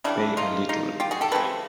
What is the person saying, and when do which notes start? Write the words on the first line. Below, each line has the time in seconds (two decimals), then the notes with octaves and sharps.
Pay a little.
0.04 C#3 E3 G3 D4 E4
0.37 D#4 F4
0.69 D#4 F4
1.00 F4 G4
1.11 F#4 G#4
1.21 G4 A4
1.32 C#3 E3 G#3 C4 A4 B4